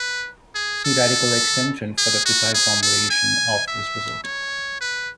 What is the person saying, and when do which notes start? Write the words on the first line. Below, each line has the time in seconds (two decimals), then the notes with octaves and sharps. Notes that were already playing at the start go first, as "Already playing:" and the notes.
See Radical extension for the precise formulation of his result.
Already playing: B4
0.55 G#4
0.85 A4
1.98 G#4
2.26 F#4
2.54 G#4
2.82 A4
3.10 G#5
3.67 E5
4.24 C#5
4.81 B4